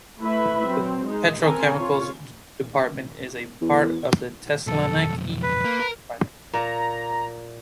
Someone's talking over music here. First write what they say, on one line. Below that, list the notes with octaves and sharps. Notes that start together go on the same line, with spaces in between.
The petrochemicals department is a part of the Thessaloniki refinery.
A3 E4 B4 E5 B5
F#3 C4
G#3 D#4
C4 A4 A#4 G#5
F4 C#5
E2
B1 F2 A4
B4
A#3
A#4
A#2 A#5